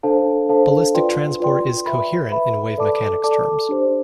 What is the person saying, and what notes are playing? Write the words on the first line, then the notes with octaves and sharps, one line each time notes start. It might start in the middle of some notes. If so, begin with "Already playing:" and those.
Ballistic transport is coherent in wave mechanics terms.
D4 A4 C5 F5 A5
D4 A4 C5 F5 A5
F4 B4 D5 G5 C6
F4 B4 D5 G5 C6
B4 E5 B5
B4 E5 B5
A4 D5 A5 D6
A4 D5 A5 D6
D4 G4 C5